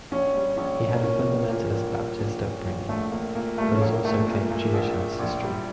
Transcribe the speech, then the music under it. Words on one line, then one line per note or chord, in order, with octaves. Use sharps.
He had a fundamentalist Baptist upbringing, but has also claimed Jewish ancestry.
A#1 C#4
G3
A#1 C#4
A#1
A#3
A#2 C#4
A#1
A#2 A#3
A#1
G3
A#1
A#2
A#1
A#1 A3
A#1 A#3
A#2 A#3
G3 A3
C#4
A#1 A#3
A#2 A3
A#2 A#3
A#2 A#3
A#1
A#2
A#1
G3